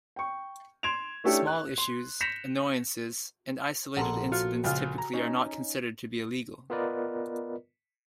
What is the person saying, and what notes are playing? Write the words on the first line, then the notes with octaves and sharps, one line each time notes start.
Small issues, annoyances, and isolated incidents typically are not considered to be illegal.
G5 C#6
C6 G#6 D7 E7 F7
A3 C#4 D4 E4 G4 A4
F#6
C6
G6 A#6 B6 C#7 E7 F7
A#1 A4 A#4 F#5 A#5 C6
F4 F#4
C#2 F4
A#5
C#4 D#4 C#5
B3 F4 A#4 B4 D5 D#5